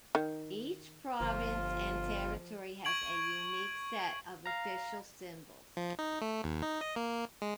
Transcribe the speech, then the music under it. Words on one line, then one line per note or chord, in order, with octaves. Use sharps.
Each province and territory has a unique set of official symbols.
D#3
G1 F3 F4
C#6 G#6 D7 F#7
F5 A#5
F3
D#4
A3
D#2
D#4
D#5
A#3
G#3